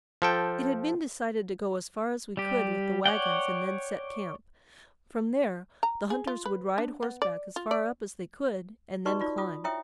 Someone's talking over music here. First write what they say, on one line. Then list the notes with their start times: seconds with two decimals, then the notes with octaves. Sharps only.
It had been decided to go as far as we could with the wagons and then set camp; from there the hunters would ride horseback as far up as they could and then climb.
0.22 F3 A4 G5
2.37 G3 G4
3.06 C#5 D5 F#5 G5
5.83 A#5
6.10 G#4
6.27 F4
6.46 B4
6.78 D4
7.03 B3
7.22 D5
7.56 F4
7.71 D5
9.06 D#4 F#4 B4 D5 D#5 C#6
9.20 D#4 F4 D5
9.38 F4 D#6
9.64 E4 C#5 E5 G5 D#6